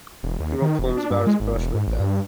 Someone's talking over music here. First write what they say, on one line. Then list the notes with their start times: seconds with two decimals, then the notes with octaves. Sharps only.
He wrote poems about his brush with death.
0.23 E1
0.40 D#2
0.62 D#3
0.79 E1
0.97 D4
1.11 G2
1.27 G#3
1.40 G#1
1.55 E1
1.74 G#2
1.87 A1
2.00 G2